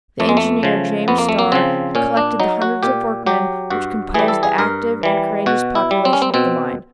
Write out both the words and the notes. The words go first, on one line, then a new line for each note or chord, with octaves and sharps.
The engineer, James Starr, had collected the hundreds of workmen which composed the active and courageous population of the mine.
F2 A3
G#3
A3
C#3 F3
F2 B3
A#3
A3
A#3
C#3 F3 C4
A#2 C#4
D4
F#3 D#4
F#4
A#2 G4
F#3 G4
G2 F#4
E3 G3 G#4
A4
G#4
G2 A#4
E3 G3
B2 F#4
E4
G3
C4
C#4
C4
B2 C4